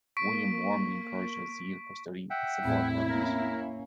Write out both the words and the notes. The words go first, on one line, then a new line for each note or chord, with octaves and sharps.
William warmly encouraged her zeal for study and supported her in it.
A#3 C#6 B6 D7
E5 F#5 G5
E2 A2 C4 E4
A#3 C#4 A#4